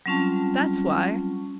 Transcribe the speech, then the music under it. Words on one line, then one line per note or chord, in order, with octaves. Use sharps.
That's why.
F#3 G3 C4 C#4 F4 A5